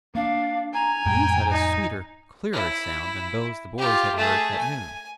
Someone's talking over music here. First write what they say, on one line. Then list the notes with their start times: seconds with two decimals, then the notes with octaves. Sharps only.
These had a sweeter, clearer sound than those the boys had heard at noon.
0.15 A#3 D4 F5
0.73 G#5 A#5
1.06 F2 A2 G#3 G5
1.51 D#4
2.53 E4
3.78 F4 G4
4.15 A3 G#4
4.59 G#5